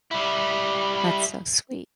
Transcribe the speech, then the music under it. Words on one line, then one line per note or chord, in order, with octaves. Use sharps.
That's so sweet.
G3 E4